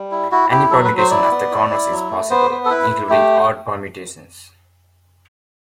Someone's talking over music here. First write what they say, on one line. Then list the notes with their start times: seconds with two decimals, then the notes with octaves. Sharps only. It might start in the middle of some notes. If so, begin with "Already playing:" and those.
Any permutation of the corners is possible, including odd permutations.
Already playing: G3
0.11 E4
0.31 E4 F#4
0.51 E4 G4
0.71 F#3 A4
0.84 B4
0.91 F#3
0.98 C5
1.11 E4 D5
1.31 B3
1.51 E4
1.70 E4
1.91 F#3
2.10 A3
2.30 B3 C5
2.50 B3
2.65 A4
2.70 E4 B4
2.90 E4
3.10 A3 G4